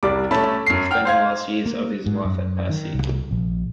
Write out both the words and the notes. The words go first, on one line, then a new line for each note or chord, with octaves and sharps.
He spent the last years of his life at Passy.
C2 G3 D5 D6
A3 C#4 A5 B5
F#2 C7
F#5 G5 F6
C5 F5 G#6
A#3
G#2
F#2
D#3
C2
A#1